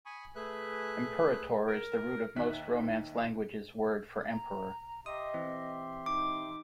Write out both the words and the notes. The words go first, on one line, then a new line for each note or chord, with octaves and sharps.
"Imperator" is the root of most Romance languages' word for emperor.
G#5 B5 C#6 D#6
A3 G#4 B4 E5 F#6
A#4
D#2 D#4 E5 F#6 B6
A#5
G4 D#5 E5 C6 D#6
E3 C4
D#4 D6